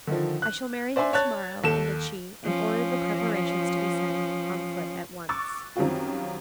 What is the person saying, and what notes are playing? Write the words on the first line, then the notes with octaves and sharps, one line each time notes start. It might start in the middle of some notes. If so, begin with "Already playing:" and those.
'I shall marry him to-morrow,' ended she; and ordered the preparations to be set on foot at once.
D3 D#3 F3
F#6
C5 D5 E5 G#5 C6
C#5 A5 F#6 A6
D#2 A4 E7
F3 C#4
C#6 D6 E6 F#6 A6
F#2 D#3 G3 C4 F4 F#4